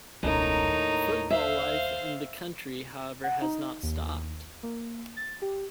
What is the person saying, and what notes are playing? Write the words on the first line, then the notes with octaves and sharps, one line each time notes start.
Football life in the country however has not stopped.
E1 C#2 A2 D#4 A#4 C#5
D#2
C5 E5 F5
F#5
D#4
D#2
A#3
A6
G4